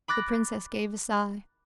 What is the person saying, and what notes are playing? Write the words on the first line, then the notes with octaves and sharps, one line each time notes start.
The princess gave a sigh.
B5 D6 F#6 A6 A#6